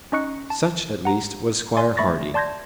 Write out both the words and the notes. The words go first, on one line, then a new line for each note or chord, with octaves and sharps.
Such, at least, was Squire Hardy.
C#4 D#4 D#5 C#6 F#6 C#7
A5
F#5 A#5
D5 G#5 C6
A3 E5 B5 C#6 A6 A#6
D5 A5 C6 G6 G#6 A#6